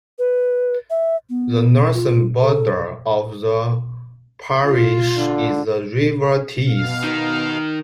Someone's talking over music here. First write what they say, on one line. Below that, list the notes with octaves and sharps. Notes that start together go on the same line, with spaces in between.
The northern border of the parish is the River Tees.
B4
E5
B3
F4
A4
F4
D3
B2 F5
D#3